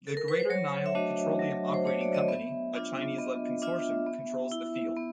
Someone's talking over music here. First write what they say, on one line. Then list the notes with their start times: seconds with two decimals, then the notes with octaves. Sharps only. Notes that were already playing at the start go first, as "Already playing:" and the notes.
The Greater Nile Petroleum Operating Company, a Chinese-led consortium, controls the field.
0.07 A4
0.17 A#4
0.28 B4
0.40 C5
0.50 F#3 C#5
0.86 E5
0.95 A3 D4 F#4 D#5
1.39 F#3
1.74 C5
1.84 A3 D4 F#4 C#5
2.01 D5
2.14 D#5
2.28 B3 E5
2.74 D4 F4
3.18 B3 D#5
3.62 D4 F4 E5
4.07 B3
4.52 E4
4.97 B3